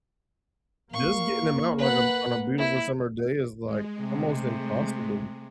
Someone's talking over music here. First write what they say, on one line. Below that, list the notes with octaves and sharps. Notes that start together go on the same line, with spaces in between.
just getting 'em out, like, on on a beautiful summer day is, like, almost impossible,
A#3 F5 C#6
B4 F#5
E4
G#3
C3 A3